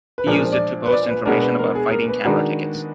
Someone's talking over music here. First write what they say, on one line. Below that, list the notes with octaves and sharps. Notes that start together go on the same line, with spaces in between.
He used it to post information about fighting camera tickets.
B4
A#2 F3 G#3 D4 A#4
D5
B4
D5
B4
B2 G#3 B3 D4 A#4
B4
A#4
G#4
A#4
B4
D#3 G#3 D4 F#4 B4 A#5